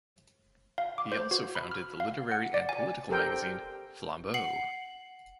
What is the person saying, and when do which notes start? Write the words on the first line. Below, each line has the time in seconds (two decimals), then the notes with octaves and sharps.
He also founded the literary and political magazine "Flambeau".
0.78 F5
0.98 D6
1.12 C5
1.31 F#4
1.55 B5
1.71 F6
2.00 F5
2.32 F#5
2.54 D5
2.69 G#5
3.10 G4 A4 A#4 C5 G5
4.34 F#5 C7 F#7